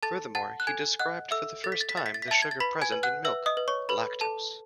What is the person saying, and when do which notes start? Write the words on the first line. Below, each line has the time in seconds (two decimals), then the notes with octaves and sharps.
Furthermore, he described for the first time the sugar present in milk, lactose.
0.03 A4 A5 A6
0.35 F#5 A5 A6
0.60 F#6
0.67 A4 G#5 G#6
0.99 D#5 F#5 F#6
1.31 A4 E5 E6
1.64 A4 A6
1.72 B6
1.81 A6
1.89 B6
1.96 E5 A6
2.06 B6
2.14 A6
2.22 B6
2.28 E5 A5 A6
2.42 G#6
2.51 A6
2.60 B4 B5 B6
2.82 G#5 G#6
2.92 B4
3.03 F#5 F#6
3.25 B4 E5 E6
3.46 D#5 D#6
3.57 B4
3.68 C#5 C#6
3.89 A4 B4 B5
4.21 A4 A5